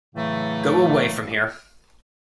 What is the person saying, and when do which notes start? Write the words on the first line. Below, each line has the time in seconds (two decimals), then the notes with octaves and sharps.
Go away from here.
0.15 A2 C#3 E3 F#3 A3